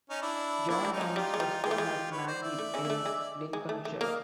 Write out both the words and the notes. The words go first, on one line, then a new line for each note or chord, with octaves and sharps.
John Downes was born at Manby in Lincolnshire.
C#4 D#4
D4 E4
A#3 D4 E4
G3
C#4 D#4
F#3
G3 D#4 F4
G#3
G3
G#3 F4 G4
A3
G#3
B4 C#5
C5 D5
D5 E5
A3
C#3 C#4
A#3
A3
G#3
G#3
A3
A3
A#3 D#5 F5